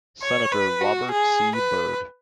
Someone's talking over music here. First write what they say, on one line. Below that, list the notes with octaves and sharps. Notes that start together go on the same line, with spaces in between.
Senator Robert C. Byrd.
C#5
B4
F#4
G#4
B4